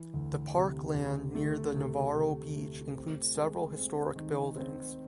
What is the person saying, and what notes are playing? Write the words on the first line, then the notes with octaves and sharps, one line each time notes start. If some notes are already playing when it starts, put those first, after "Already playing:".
The park land near the Navarro beach includes several historic buildings.
Already playing: E3
D2
C3
D2
A3
C3
C3
A3
C4
G#3
C4
D#3
C4